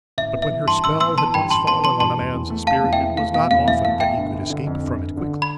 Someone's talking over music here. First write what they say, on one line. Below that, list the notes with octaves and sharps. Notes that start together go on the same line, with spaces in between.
But when her spell had once fallen on a man's spirit it was not often that he could escape from it quickly.
A1 E5
B3
E5
E3
G2 A5 C6
A1 C6 E6
B3 C6 E6
E3 A5 C6
G2 G5 B5
A1 A5 C6
B3 A5 C6
E3 A5 C6
G2 A5 C6
E2
E2
A3
B2 F5 A5
E2
E5 G5
E2
A3 F5
B2 F5
E2 F5
E2 E5
A3 F5
B2 E5 G5
G1
G1
D3
F2
G1
G1
D3
B5